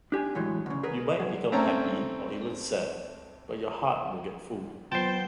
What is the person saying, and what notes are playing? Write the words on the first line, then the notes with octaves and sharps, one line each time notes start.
You might become happy or even sad, but your heart will get full.
D4 G4 G#5
A2 E3 F#3 G#3
D2 C#3
G#4 A#4 B4
F#3 G#4
A3 C4 C#4 A4 A#5
F#3 B3 F4 C5 G5 A5 C6